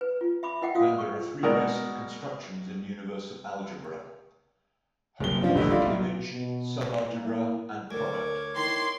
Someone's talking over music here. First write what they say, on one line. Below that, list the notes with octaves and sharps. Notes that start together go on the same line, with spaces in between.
Then there are three basic constructions in universal algebra: homomorphic image, subalgebra, and product.
B4
F4
E5 B5 D6
E4 A#4 D#5 F#5 G5 D6
F4 F#4 F5 D#6
C#6
B2 G#3 F#4 A#4 D5
F#1 G7
F3 C#4 D4 F4
D#1 A1 D3 A3 E4 D#5
E4 F4 D5
B1
B2
A#3 E4
D2 A#4 C#5 D6 G#6
D#3 E4 C6